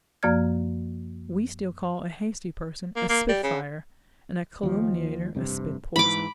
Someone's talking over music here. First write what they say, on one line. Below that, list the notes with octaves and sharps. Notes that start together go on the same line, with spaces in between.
We still call a hasty person a "spitfire", and a calumniator a "spit-poison".
F#2 F3 A#3 D5 F6 G#6
A#3
A#3
G3
C#3
D#2 F3
F1 G2 C3
G#2 E3 B5 D6